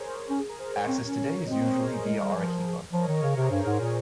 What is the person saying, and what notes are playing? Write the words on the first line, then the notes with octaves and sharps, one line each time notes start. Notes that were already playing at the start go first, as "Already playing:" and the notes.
Access today is usually via Arequipa.
Already playing: G#4 A#4 C5 C#5
C#4 A#4
G#4
A#4
G#4 C5
A#4 C#5
C4
C#4
C4 C5 D#5
A#4 C#5
G#4 C5
A#4
G#3 A#4
G3 G#4 C5
F3
F3 A#4 C#5
D#5
D#3 A#4 C#5
C#3 A#4 C#5
C3 G#4 C5
G2 A#4
G#2 G#4
A#2